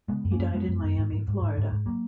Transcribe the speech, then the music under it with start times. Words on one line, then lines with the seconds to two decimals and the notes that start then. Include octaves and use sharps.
He died in Miami, Florida.
0.08 C#3 G#3 B3
0.24 F#2
0.31 A#3 C#4
0.38 F#2
0.53 F#2 G#3 B3
0.68 F#2
0.83 F#2
0.98 G#2
1.12 G#2
1.28 G#2
1.42 G#2
1.58 G#2
1.72 G#2
1.86 F#3 A#3